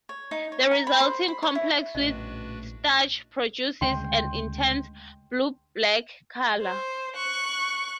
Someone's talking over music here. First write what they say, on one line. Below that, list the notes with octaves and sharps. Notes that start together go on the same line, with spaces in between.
The resulting complex with starch produces an intense "blue-black" colour.
C#5
D#4
C#5
A#5
B5
C5
B5
C#5
E4
A#1 A2 C#3 D4 F#4 B4 D#5
D2 C#3 G#3 G5 C6
C5
C#6 F#6